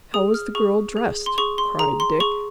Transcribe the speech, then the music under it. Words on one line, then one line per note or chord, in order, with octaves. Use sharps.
"How was the girl dressed?" cried Dick.
G#4 D#6
F6
G#4 C#6
G#4
C6
G#4 C#6
C6
G#4 A#5
C6
G#4 C#6